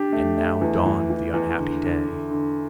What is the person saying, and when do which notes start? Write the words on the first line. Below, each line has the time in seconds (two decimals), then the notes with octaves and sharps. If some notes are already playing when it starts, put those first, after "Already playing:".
And now dawned the unhappy day.
Already playing: D4 G4
0.12 A3
0.37 A3
0.61 E2
0.86 E3
1.10 E3
1.34 E2
1.58 D3
1.82 D3
2.07 D3
2.30 D3